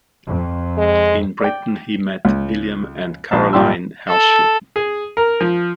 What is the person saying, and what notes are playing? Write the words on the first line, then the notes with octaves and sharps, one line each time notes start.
In Britain he met William and Caroline Herschel.
F2
G#3
D5 G5
C#2
A#1 A#3 A5
G#1 A#2 G3 G4 C6 E6
A4
G#4
A#4
F3